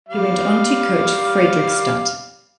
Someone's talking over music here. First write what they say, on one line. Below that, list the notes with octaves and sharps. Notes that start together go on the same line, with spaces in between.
He went on to coach Fredrikstad.
G3 F5